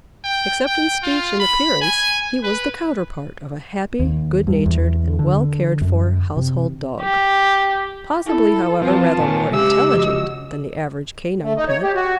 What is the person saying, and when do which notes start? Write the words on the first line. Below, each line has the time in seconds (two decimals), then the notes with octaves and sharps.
Except in speech and appearance he was the counterpart of a happy, good-natured, and well-cared-for household dog--possibly, however, rather more intelligent than the average canine pet.
0.24 G5
0.66 G5
1.03 F4
1.40 B5
1.81 G#5
2.43 B4
3.99 D#2
4.47 G2
4.66 E2
5.19 D3
5.81 F#2
6.37 C3
7.02 G4
8.26 E4 A4
8.82 F3 C4 F4 B4 A5
9.20 A#2 C#5 G#5
9.53 C#3 F#3 G#3 G4 E5 E6
9.93 F3 F#4 D#5
11.43 A3
11.57 D#4
11.69 C#5
11.83 G4
11.95 F#4